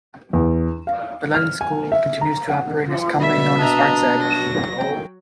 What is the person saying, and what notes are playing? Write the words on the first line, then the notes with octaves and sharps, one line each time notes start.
The London school continues to operate, and is commonly known as ArtsEd.
E2
F5
F6
G#5
E5
A#5
F#5
B2 G3 E5
D4 D#5 A#5
F#3 A#6
G5